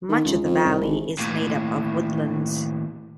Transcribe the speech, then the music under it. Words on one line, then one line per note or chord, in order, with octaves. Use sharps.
Much of the valley is made up of woodlands.
D#3
C#2
F2
C2
G#1
D#2 A2